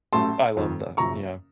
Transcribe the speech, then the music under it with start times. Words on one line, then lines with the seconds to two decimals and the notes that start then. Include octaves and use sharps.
I love that, yeah.
0.13 A1 A2 F#3 A3 C#4 A5 C6
0.55 F1 F2 D#3
0.97 F#1 F#2 C#3 F3 A#5 C#6